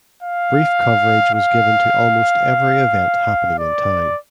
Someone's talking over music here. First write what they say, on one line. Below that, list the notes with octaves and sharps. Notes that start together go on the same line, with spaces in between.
Brief coverage was given to almost every event happening in town.
F5
F5
D5